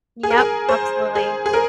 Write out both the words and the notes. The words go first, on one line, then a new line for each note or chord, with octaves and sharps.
Yep, absolutely.
G#4
A#4
G#4
C5
G#4
G#4
A#4